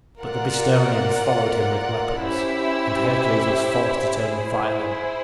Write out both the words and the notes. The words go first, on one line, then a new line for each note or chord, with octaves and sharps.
But the Bistonians followed him with weapons, and Hercules was forced to turn and fight them.
F4 A#4 D5 F#5
C#4 E4 G4 C5 E5
E4 G#4 C5